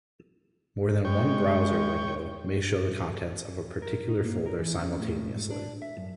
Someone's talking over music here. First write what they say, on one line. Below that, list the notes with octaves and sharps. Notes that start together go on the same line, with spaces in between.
More than one browser window may show the contents of a particular folder simultaneously.
G#3 C#5 G5
A#4
D#4
A#3
A#4
E3
C#4
A2
G#2
D4
E5
F#2